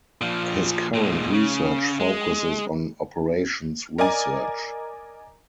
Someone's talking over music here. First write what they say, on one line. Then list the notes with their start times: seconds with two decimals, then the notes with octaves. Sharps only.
His current research focuses on operations research.
0.21 A#2 F3
0.94 A#2 G#3
1.33 C#3
2.00 G#3
3.98 A#4 D5 D#5 G#5 A#5